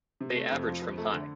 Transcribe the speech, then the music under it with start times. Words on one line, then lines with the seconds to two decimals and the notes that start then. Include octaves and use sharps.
They average from high.
0.21 C3
0.36 A3
0.51 F2
0.67 F3
0.82 F3
0.98 A3
1.13 D3